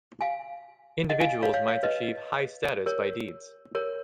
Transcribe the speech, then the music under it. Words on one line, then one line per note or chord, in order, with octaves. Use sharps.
Individuals might achieve high status by deeds.
F5 G#5
D#5 F#5
F5 G#5
C#5 F5
C#5 F5
C#5 F5
B4 D#5
A#4 C#5
A#4 C#5